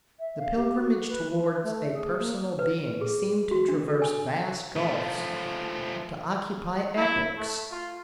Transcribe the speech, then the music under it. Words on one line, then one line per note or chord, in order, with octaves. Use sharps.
The pilgrimage towards a personal being seemed to traverse vast gulfs, to occupy epochs.
E5
F5
G4
F#4
B4
F3
B4
A3
G#4
A#3
B4
G#4
F#4
D4
A4
G#5
F3 A3
E4
A3
F4